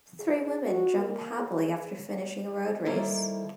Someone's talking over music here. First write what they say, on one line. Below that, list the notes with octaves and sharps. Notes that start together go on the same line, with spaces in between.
Three women jump happily after finishing a road race.
G#4
F#4
A#3
G#4
D#3 G3 A#3 E4 A4 C5